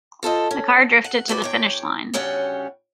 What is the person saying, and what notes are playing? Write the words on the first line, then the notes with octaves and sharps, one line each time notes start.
The car drifted to the finish line.
F4 A4 C5 D#5
C#4
F#5
D2 F#4 B4 D5
E2 C#5 G5
D2 C#3 G3 C#4 F#5 G5